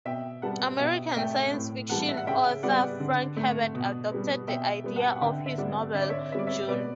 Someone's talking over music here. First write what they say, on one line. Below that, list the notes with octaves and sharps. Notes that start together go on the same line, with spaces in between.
American science fiction author Frank Herbert adopted the idea for his novel "Dune".
B2 E5 G5
G3 B3 F#5 A5
B2 E5 G5
A3 E5 G5
A2
E3 G3 F#5 A5
E5
F#5
C#3 E5 G5
G3 B3 D5 F#5
D3
A3
B2
G3 B3
B2 E5 G5
G3 B3
F#5 A5
F#5
D3 E5 G5
E5
G3 B3 D5 F#5
D3 E5
D5
C#5 E5
G3 B3 D5 E5
C#5 E5
B2 B4 D5